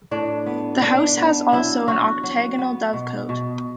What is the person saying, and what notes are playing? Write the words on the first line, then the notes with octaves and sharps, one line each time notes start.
The house has also an octagonal dovecote.
A2 D4
B3
B3 D4
B3
F#3 E4
F#3 F#4
F#3
B3
B2
B2